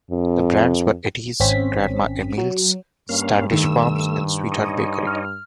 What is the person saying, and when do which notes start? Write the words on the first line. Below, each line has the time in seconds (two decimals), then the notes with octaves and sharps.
The brands were Eddy's, Grandma Emile's, Standish Farms and Sweetheart Bakery.
0.11 F2
1.40 G#1 C4 C#4 B6
2.38 F#3
3.09 G2 A#3 C#4 F5
3.52 D#3 A3 E6
4.52 D#4 C#5 D#5
5.07 F6